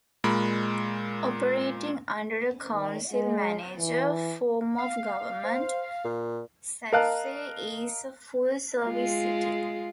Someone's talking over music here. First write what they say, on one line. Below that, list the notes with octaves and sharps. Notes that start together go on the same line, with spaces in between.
Operating under a Council-Manager form of government, Sachse is a full-service city.
A#2 G#3 A#4 B5
D#3
G#3
E3
F5
C5
A#2
A#4 D#5 F5 A5 F#6
G#3 F4